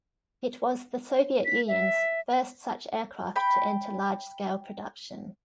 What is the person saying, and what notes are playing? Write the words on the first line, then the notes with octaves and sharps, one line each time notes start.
It was the Soviet Union's first such aircraft to enter large-scale production.
B6
E5
G5 B5